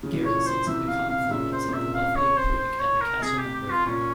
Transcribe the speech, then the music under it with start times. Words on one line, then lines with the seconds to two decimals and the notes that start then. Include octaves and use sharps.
Garrett sits at the confluence of the Buffalo Creek and the Casselman River.
0.03 C#3
0.12 E3
0.21 A#2 C#3 C#5
0.46 C5
0.67 C3 E3 E5
0.88 C3 F5
1.10 C3 F5
1.24 C3
1.31 A#2 C#3 E5
1.52 C5
1.69 C3
1.73 A#2 E5
1.94 F5
2.15 C#5
2.37 C5
2.58 C5
2.79 C#5
3.01 A#4
3.22 C3 G#4
3.38 G4
3.54 G4
3.70 F4
3.86 A#2 C#4